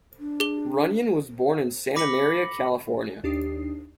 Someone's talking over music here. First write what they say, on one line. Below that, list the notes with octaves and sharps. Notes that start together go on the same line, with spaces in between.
Runyan was born in Santa Maria, California.
D4
G#4 G7
B5 D6 A#6 B6 C#7 F#7
D#2 D4 D#4 G4 D#6 C7